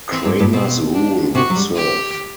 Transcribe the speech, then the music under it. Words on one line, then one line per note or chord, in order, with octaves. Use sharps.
Cramer's rule would serve.
E3 C4
G2
G2
B2 C4
D4
C3 F#4
F#3
G3
G4